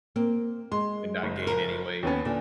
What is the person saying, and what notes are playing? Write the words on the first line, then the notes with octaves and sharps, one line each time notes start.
and not gain any weight.
A#3 C4
G#3 C6
F#1
A#4
D#2 B3 C#4
A#2 D3